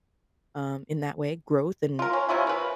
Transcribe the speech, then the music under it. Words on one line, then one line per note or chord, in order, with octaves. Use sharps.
um, in that way, growth and
F4 A#4
C#4
C3 C#4 E4 F4
A#4 B4